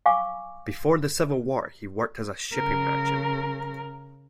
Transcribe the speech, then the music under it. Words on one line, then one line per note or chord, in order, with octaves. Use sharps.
Before the Civil War, he worked as a shipping merchant.
F5 G#5 C#6 D6
C#3 A#4